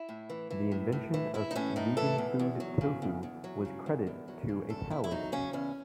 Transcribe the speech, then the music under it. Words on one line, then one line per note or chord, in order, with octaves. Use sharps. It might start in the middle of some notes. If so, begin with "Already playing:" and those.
The invention of vegan food Tofu was credit to a Taoist.
Already playing: E4
A2
E3
E3
A2
A2
E3
E3 E4
D#4
A2 C#4
A2 D#4
E3 A4
E2
E2
F#3
C#3
E2
E2
F#3
C#3
E2
E2
F#3
C#3
E2 A4
E2 E4
E4
F#3 D#4
C#3 C#4
E2 C#4